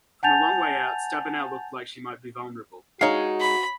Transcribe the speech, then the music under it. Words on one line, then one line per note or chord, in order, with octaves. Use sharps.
From a long way out Stabenow looked like she might be vulnerable.
F#5 G#5 A5 G6 A6 F7
G#3 D#4 F#4 C#5 F5
B5